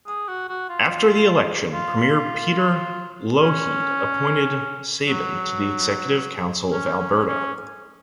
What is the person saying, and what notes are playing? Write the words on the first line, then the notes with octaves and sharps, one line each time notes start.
After the election Premier Peter Lougheed appointed Shaben to the Executive Council of Alberta.
G#4
F#4
F#4
F4
F4
C#4
F#3
C#4
C#4
C#4